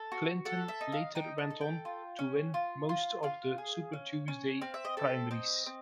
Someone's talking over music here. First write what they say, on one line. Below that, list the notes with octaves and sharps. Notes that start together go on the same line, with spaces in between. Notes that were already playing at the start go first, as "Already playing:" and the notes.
Clinton later went on to win most of the Super Tuesday primaries.
Already playing: A4
F#4
A4 F#5
E5
D#4
F5
D#4 G5
A5
A4
G5
F4
C#4
F4
F4
F4 F5
G#4
C#4
C#4
C4 F5
E5
D#5
A4 E5
C4 D#5
C4